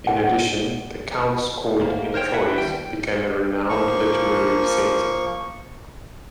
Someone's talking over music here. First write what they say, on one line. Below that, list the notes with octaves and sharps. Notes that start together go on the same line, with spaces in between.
In addition, the count's court in Troyes became a renowned literary center.
F#5
D2 G#2 A#3
A#4 C5 C#5 G5
E4 B4 E5 F#5
D#2 G3 G5
F3 A#3 C#6